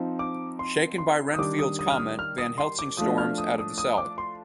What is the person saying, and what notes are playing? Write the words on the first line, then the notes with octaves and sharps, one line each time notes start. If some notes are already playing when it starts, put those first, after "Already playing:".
Shaken by Renfield's comment, Van Helsing storms out of the cell.
Already playing: F3 C4 D#4
D6
C6
C6
D#6
D#3 G3 D4 D6
D#6
D#6
F6
D#6
F6
D#6
C6
D6
F3 A3 D4 D#6
F6
D#6
D#6
D#6
D6
C6